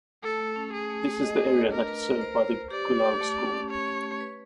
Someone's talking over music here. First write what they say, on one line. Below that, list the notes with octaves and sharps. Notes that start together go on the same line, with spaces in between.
This is the area that is served by the Gullaug school.
A3 A4
A3
C#4
C#4 G#4
A3
A3
D#5
D4
B4
D4 A#4
B4
B4
C5
C5
C5
G4 D5
C5
G4
A3
C#4
C#4
C#4 C#5
C#4
A3
B4